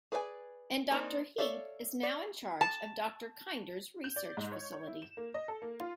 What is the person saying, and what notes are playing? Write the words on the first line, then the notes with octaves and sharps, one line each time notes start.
And Doctor Heep is now in charge of Doctor Kinder's Research facility.
G#4 B4 D5 E5 G#5
A#3 C4 D4 D#4 A#5
A4 C#5 D5 E5 F5
D5
A5
G6
D5
G#2
C#5
C#5
E4
E7
A#3
D#5
A4
A#3
F4